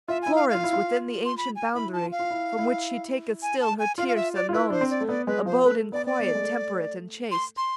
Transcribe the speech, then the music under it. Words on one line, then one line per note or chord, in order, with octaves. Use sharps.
Florence, within the ancient boundary From which she taketh still her tierce and nones, Abode in quiet, temperate and chaste.
F4 E5
E4 G#5
F5
F5
F4
E4
F4
C6
B5
G#5
E4 B5
A5
F4
F5
F4
E4
E4
G#5
A5
G#5
F4 F5
F5
E5
D5
F4
E4 B4
D4 C5
C4
D5
A3
B3 D5
G#3 B4
F3 C5
A3 B4
B3 D5
D5
B3
A3
G#3
A3
C6
C6